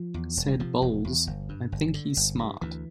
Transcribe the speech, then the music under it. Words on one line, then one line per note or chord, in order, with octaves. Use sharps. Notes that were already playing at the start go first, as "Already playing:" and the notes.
Said Bowles: I think he's smart.
Already playing: F3
E2
E1
G3
C3 F3
E1
E2
G1
G2
G1
D3
G1
G2
D2 E3